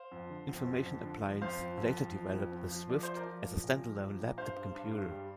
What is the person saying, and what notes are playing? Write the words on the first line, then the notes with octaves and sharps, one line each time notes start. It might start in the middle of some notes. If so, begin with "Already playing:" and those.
Information Appliance later developed the Swyft as a stand-alone laptop computer.
Already playing: C5 F5
F2
D3
F2
F2
F2
D3
F3
F2 C5 F5
F2
F2
F2
F3
F2
F2
F3
F3 D5
F3 C5
A#4 D5
F3
F3
A#2
F3
F3
A#2
G2 C5 F5
G2
G2
G2
G3